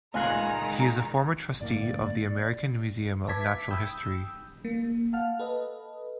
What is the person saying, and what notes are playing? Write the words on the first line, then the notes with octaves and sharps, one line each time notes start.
He is a former trustee of the American Museum of Natural History.
C#2 A#2 D#3 F4 G#4 G#5 A#5 F#6
G1 A2 A#3 D5
B4 E5 A5 D6 G#6 B6
G5 B5 D#6 E6 G6
A#3
F5 F#5 A5 F6
A4 B4 D#5